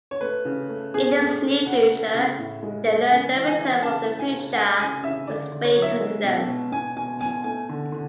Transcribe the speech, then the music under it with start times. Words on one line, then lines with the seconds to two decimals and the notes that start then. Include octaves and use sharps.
In this near-future, they learn their return from the future was fatal to them.
0.11 C#5
0.21 A3 B4
0.45 C#3
0.69 A3
0.94 B2 G#4
1.17 A3
1.42 A3
1.66 C#3 F#5
1.90 A3
2.14 C#3
2.38 A2
2.63 G#3
2.87 G#3
3.10 C#3 G#5
3.35 E3
3.47 G#5
3.59 E3
3.83 C#3 A5
4.07 A3
4.19 G#5
4.32 C#3
4.55 A3 G#5
4.80 C#3 G#5
5.04 C#3 E5
5.27 D3 D5
5.52 D3
5.64 C#5
5.76 F#3
5.82 E5
6.00 G#3
6.24 B2
6.48 B2
6.72 B2 G#5
6.96 B2 G#5
7.21 B2 G#5
7.44 A3 G#5
7.69 D3
7.92 D3